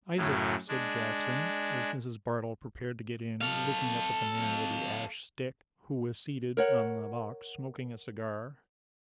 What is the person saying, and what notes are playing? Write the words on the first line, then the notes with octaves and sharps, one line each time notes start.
'Isaac,' said Jackson, as Mrs. Bardell prepared to get in, looking up at the man with the ash stick, who was seated on the box, smoking a cigar.
F#2 A2 C#3 F#3
G#3 D4
A4 F5
A#4 C#5 F#5